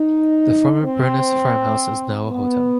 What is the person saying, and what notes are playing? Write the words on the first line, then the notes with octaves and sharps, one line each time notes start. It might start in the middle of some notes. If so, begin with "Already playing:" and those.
The former Byrness farmhouse is now a hotel.
Already playing: D#4
C4
B3